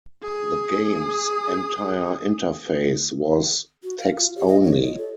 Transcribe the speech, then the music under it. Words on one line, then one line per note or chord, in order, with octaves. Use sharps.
The game's entire interface was text-only.
G#4 D#6
F#4
F5
F4
G4
D#5
C#5
F4
A4